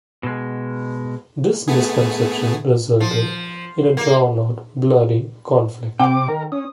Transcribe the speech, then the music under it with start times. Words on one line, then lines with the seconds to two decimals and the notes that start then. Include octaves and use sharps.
This misconception resulted in a drawn-out, bloody conflict.
0.23 B2 G#3
1.68 A3 B3 G#4
3.00 F3
3.97 A#3
6.00 C3 C4 G5 D6
6.28 D#3 A#4
6.52 C#4 D#6